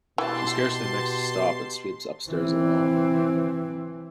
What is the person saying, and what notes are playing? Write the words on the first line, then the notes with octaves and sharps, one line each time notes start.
She scarcely makes a stop, and sweeps upstairs alone.
B2 E3 G4 A5 C6
E3 C4